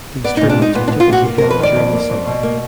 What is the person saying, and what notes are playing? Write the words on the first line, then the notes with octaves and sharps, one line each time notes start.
These tournaments are typically held during the summer.
B3 D5
D#4
A#2
D4
G#3 D#4
A#2 B3
D4
B3
F4
A#2 F#4
A#3
A#4
F2
B4
D#3 D5
F2
A#3
F2
B2
A#3